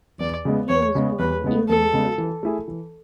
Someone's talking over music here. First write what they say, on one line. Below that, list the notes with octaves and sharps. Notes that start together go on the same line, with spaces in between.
He was born in Ealing, London.
E2 D5
C#3 G#3 B3
E2 C#5
C#3 G#3 B3
E2 B4
C#3 G#3 B3
E2 A4
C#3 G#3 B3
E3
A3 E4 G#4
E3